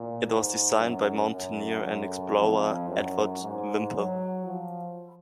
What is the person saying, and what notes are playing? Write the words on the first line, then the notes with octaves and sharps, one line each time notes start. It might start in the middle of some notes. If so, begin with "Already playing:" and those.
It was designed by mountaineer and explorer Edward Whymper.
Already playing: A#2
G#2
F#2
F#2
F#2
F2
F#2
G#2
F#3
F3